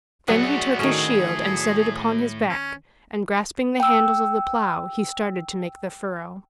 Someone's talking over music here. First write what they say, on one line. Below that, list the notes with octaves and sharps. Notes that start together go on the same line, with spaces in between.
Then he took his shield and set it upon his back, and grasping the handles of the plow he started to make the furrow.
A#1 F#3 B3 F#4 G#4 C#5
A2 D#3 A3 C#4 G#4
C#4
G5 E6